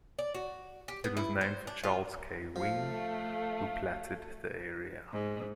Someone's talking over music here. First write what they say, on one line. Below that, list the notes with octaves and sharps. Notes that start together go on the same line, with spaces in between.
It was named for Charles K. Wing, who platted the area.
D5
F#4
G4
B3
E4
C5
D4
F4
F3 A3 F5
G#2